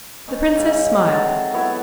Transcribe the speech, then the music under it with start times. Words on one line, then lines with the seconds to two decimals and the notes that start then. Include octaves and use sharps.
The princess smiled.
0.28 C#4 D#4
0.57 G#2 C#3
1.06 F#4 A4 A5 A#5
1.24 C3
1.53 F#3 B3 E4 C#5